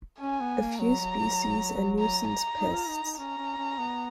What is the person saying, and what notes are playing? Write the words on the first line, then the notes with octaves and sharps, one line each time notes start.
A few species are nuisance pests.
C#4 G#5
B3
A#3
F#3 A#5
F#3
F#3
A#5
A#5
D#4
F4
D#4
D#4
C#4 A#5
C#4
C#4
B3